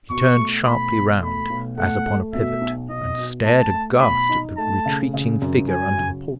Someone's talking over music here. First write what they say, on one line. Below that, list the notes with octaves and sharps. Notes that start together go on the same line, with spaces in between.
He turned sharply round, as upon a pivot, and stared aghast at the retreating figure under the porch.
B2 C#6
A3
B1 B5
B1
A3 B5
B1
A3 F#5
A3
B2 E5
B1
B1 D#5
B2
A3 A5
A3
B1 B5
D#4
A3 A5
C#3
C#3
F#2
F#3 G#5
C#3